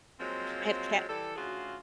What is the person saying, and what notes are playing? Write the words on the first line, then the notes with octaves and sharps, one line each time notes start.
I have ke
F3 F#3 G#3 A#3 C4
E3 G3 A4
D2 C#3 F4 F#4 G#4